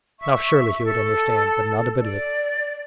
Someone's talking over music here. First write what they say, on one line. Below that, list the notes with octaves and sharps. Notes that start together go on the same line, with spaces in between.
Now surely he would understand; but not a bit of it.
E5 C#6
A4
D5